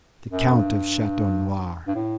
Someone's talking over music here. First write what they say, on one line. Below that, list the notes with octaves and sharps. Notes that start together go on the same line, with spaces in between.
"The Count of Chateau Noir."
F#2
F#2
G2
G2
A2